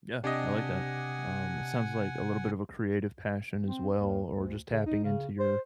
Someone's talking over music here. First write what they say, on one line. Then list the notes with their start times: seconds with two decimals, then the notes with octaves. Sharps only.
Yeah, I like that, um, it sounds like a little bit of a creative passion as well, or just tapping into your
0.24 C3 D4 G4 D#5 F#5 G#5
3.66 C4
3.97 D#2
4.34 D2
4.69 C#3
4.86 D#4
5.04 C#3
5.39 C5